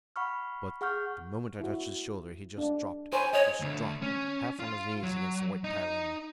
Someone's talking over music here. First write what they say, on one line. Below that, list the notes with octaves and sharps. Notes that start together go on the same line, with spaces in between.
But, the moment I touched his shoulder, he just dropped--just dropped, half on his knees against the white tiling.
F#5 B5 C#6 F6
G#4 F#5 C#6 F6 G6
E4 F#4
D4
C5 C#5 G#5 B5
C#5 D#5
D2 D3
C#4
F4 F5
F#3
D#4 D#5